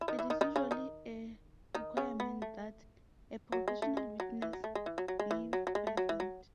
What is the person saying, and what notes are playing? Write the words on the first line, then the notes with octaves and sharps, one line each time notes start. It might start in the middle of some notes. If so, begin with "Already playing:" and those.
It is usually a requirement that a professional witness be present.
E4
D#3 D#4
E3 E4
D#3 D#4
D#3 D#4
C#3 C#4
D#3 D#4
D#3 D#4
C#3 C#4
B3
A3
F#3
G#3
A3
G#3
F#3
E3
F#3
A3
G#3
E3
F#3
F#3
G#3
E3
F#3
F#3
G#3
A3
F#3
E3
F#3